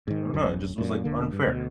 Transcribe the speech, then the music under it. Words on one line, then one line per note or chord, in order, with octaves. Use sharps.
I don't know, it just was, like, unfair.
G#2 D#3
D1 F#2
F#2 A#2
E1 D3 A#3
G2
D2 B2